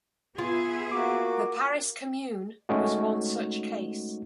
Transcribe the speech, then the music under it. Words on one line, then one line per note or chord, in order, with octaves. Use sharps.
The Paris Commune was one such case.
B3 F4 G#4 E5
A#3 F#4 D6
G#3 A3 C#4 D#4 F#4